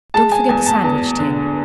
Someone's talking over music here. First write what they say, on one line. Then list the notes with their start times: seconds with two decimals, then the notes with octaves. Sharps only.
Don't forget the sandwich-tin!
0.14 G#3 A5
0.32 G#5
0.49 E2 G#5
0.66 A5
0.84 E2
1.18 D3